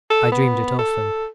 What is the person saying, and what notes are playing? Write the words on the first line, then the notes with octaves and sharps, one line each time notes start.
I dreamed it often.
A4
B3
A4